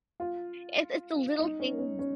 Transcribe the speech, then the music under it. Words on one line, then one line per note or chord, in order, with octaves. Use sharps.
It's it's the little things
F4
D#4
C#4
C#4
C#4